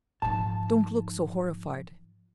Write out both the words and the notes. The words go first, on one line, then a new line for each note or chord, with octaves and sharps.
Don't look so horrified.
G#2 F3 A5